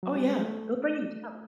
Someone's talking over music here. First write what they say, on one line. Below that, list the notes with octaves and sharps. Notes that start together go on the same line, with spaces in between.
Oh, yeah. It'll bring you down.
F#3
G3
G#3
A3